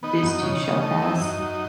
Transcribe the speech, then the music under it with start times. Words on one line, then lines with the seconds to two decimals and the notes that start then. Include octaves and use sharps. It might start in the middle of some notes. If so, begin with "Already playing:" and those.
this too shall pass.
0.03 B3 D#4
0.23 F#2
0.42 C#3
0.62 C#3
0.82 A3
1.02 E3
1.20 F#2 D#4
1.40 F#2